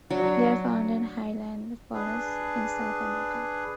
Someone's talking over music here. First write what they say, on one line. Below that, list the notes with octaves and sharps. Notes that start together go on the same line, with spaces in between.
They are found in highland forests in South America.
F#3 D4
D4 G#4 B4